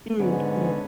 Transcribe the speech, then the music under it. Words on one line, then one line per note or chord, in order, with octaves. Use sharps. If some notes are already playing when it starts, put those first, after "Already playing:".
Mm, yeah.
G#2 D3 B3 C#4